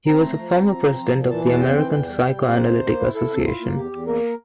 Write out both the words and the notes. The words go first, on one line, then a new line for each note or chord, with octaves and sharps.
He was a former President of the American Psychoanalytic Association.
C4 A#5
A3
F3
C4
F3
C4
F3
A#2
E3 A5
E2 A5
C4 G5
E3 G5
E2 G5
G3
G3
C4
A#3 C5
C3
A#3
E4
E4 A4
C3
E4 F4
A#3
E2 G4
E2
A#3 A#4